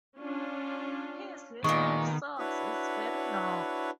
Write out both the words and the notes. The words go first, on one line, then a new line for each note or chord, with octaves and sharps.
His list of songs is very long.
C#4 D4 F4
A#2 D#3 G#3 B3 C#6
D4 E4 F#4 B4 C#5